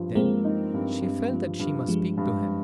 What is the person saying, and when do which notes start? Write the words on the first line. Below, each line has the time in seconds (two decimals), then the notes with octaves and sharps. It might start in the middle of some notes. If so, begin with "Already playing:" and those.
Then she felt that she must speak to him.
Already playing: G2 F3
0.15 G#3 A#3 C4
0.44 D#4
0.74 G2
1.02 G2
1.30 F3
1.59 G2
1.88 G2 F3 G#3
2.17 G2